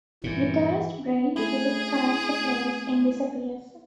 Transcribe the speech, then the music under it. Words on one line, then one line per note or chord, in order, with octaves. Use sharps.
Guitarist Brian Case currently plays in Disappears.
G2 A#2 E3
A3 C4 E4 G#4